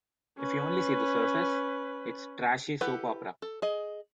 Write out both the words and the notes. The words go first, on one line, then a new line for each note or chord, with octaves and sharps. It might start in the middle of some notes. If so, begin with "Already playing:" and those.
If you only see the surface, it's trashy soap opera.
C#4 B4
E4 G4 A4 B4 F#5
A4
G#4 D#5